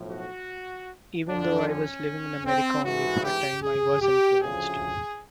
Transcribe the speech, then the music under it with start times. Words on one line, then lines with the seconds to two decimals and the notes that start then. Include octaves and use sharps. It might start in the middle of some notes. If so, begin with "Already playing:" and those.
Even though I was living in America only part time, I was influenced.
Already playing: B1 A2 F3
0.11 F#4
1.29 F2 D3 F3 D4
1.68 C#4
2.46 C4
2.85 A1 G#2 E3 F#4
3.24 G4
3.63 G#4
4.02 G4
4.41 D2 C#3 F3 G#4